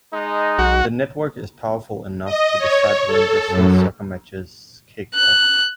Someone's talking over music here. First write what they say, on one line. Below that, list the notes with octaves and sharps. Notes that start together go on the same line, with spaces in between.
The network is powerful enough to decide when Brazil's soccer matches kick off.
G#3 D#4
B1 F#4
D#5
C#5
A4
F#2
F#6